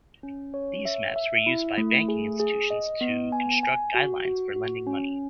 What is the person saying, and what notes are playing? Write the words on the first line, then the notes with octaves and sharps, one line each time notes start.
These maps were used by banking institutions to construct guidelines for lending money.
C#4
C#5
E5
E5
E4
A3
G#4
G#4
D#5
B3
G#5
G#5
F#4
F#4
F#4
C#4